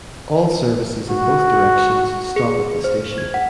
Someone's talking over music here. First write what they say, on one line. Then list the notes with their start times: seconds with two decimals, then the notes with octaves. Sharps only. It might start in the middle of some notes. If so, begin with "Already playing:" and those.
All services in both directions stop at the station.
1.10 F#4
2.36 G#4
2.84 C5
3.18 G#6
3.34 F#5